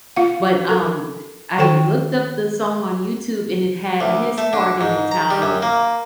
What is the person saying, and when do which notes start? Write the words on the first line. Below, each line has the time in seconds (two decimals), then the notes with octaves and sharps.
but, um, eh, I looked up the song on YouTube, and it had his part in Italian,
0.16 F4 F5 F#5
0.69 A4 A#4
1.58 D#3 A4 C5 G5
4.00 D2
4.38 A3
4.53 D3
4.81 G#2
5.11 A#5
5.31 G3
5.42 F#2
5.62 A#3